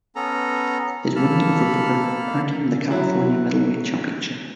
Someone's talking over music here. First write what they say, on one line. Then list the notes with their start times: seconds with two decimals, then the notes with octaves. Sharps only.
His win over Booker earned him the California Middleweight Championship.
0.16 B3 C#4 A4 A#5
1.16 A#3 A4 A5 B5 F6
2.91 F#3 E4